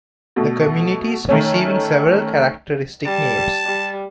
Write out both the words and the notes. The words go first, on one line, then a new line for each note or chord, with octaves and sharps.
The communities receiving several characteristic names.
B2 A3
D#3 A3 C#4
G3 A5
G3